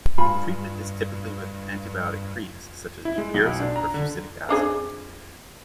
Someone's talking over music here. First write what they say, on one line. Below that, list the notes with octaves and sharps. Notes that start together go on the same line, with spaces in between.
Treatment is typically with antibiotic creams such as mupirocin or fusidic acid.
G2 F4 G#5 B5
E4
G#3
B1
B1
D4
A#5
D3
C4 D4 G#4